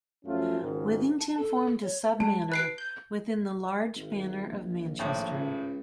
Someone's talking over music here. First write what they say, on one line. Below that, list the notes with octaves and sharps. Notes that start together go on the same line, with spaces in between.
Withington formed a sub-manor within the large Manor of Manchester.
F#2 F3 A3 C#4 F4
G#1 C#2 G#2 D#3 A#4
A5
A4
C#5
G#3 A5
B4 F#6 C7 D7
G6
G#1
A#1
G#1 A2
C#2